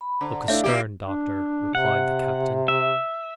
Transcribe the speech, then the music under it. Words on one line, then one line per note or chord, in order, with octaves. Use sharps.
"Look astern, doctor," replied the captain.
B5
D3 C5 F#5 A#5
A3 D4 E4 C#5 E5 F5
A#3 E4 G4
D4
C3 F#5
E5